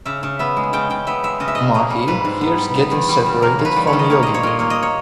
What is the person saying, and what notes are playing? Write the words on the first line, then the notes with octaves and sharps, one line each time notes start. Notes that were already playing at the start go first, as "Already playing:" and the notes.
Mahi fears getting "separated" from Jogi.
C#3 E5
C#3
B3 E5
G#3
C#3 G5
C#3 G5
B3 E5
G#3 E5
C#3 D#5
E5
C#3 D#5
A#3 D#5
G3
G#2 B4
G#2
B3
G3
B3
E2
G3
C#3
A#3 A#4
E2
B4
G3
C#5
D#3
D#5
A#3 C#5
A#2 D#5
C#5
A#2 D#5
A#3 C#5
D#5
C#5